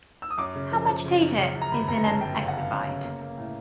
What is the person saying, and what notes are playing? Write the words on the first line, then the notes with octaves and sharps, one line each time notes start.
How much data is in an exabyte?
E6
D#6
F#2 D6
C#3
F3
F3
C#3
F#2
C#3
F#2
A#5
G1 B5
G1 A#5
A#5
F#2 A5
F#2 G5
C#3 F5
F#5
C#3 F5
F#2
C#3
A#3
A#3
A2